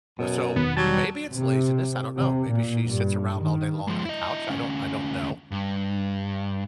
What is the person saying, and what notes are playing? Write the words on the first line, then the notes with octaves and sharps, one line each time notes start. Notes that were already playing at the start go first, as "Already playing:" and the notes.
so maybe it's laziness, I don't know. Maybe she sits around all day long on the couch, I don't I don't know,
F#2 B2
E1 D#3 B3
F#3 G3 A5
C3
C3
A#2
G2
D#3
F3 G#3
E4 D#5
D2 C#4
G2